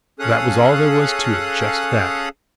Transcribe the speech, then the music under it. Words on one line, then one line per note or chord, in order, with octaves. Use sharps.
That was all there was to it--just that!
C#4 G#4 A4 F5 D#6 F#6